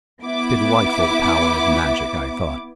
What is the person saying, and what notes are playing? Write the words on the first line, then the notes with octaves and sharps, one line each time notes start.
"Delightful power of magic!" I thought.
B3 E4 D6